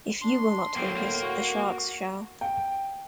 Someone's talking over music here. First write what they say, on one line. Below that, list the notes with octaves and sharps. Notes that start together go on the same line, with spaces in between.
If you will not take us, the sharks shall.
D4 C6
A2 D3 F#3 A#3 G5
A#3
F#4
G5